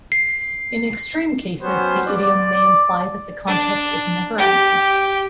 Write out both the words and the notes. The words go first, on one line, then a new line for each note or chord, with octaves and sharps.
In extreme cases, the idiom may imply that the contest is never-ending.
C7
F#3 G3 B3 C#4 C5
D5
D4
G4